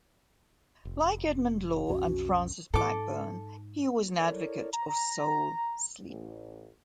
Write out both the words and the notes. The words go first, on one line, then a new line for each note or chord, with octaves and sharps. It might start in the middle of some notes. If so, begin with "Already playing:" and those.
Like Edmund Law and Francis Blackburne, he was an advocate of soul sleep.
F1
B1 F2 C#4 F#4
G#2 A4 D6
E4 A4 A#4 C#5 D5
A#5
A1